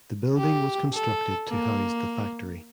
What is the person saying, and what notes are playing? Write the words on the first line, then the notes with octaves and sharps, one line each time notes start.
The building was constructed to house the factory.
G4
A4
A#3